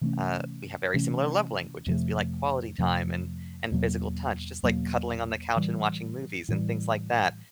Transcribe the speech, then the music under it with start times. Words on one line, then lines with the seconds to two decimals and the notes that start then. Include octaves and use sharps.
uh, we have very similar love languages. We like quality time and and physical touch, just like cuddling on the couch and watching movies and things like that.
0.01 C3 E3 A3 C#4
0.94 C3 E3 A3 C#4
1.86 F2 C3 F3 A3
2.78 F2 C3 F3 A3
3.72 E2 B2 F#3 A#3
4.63 E2 B2 F#3 A#3
5.56 A2 E3 G3
6.49 A2 E3 G3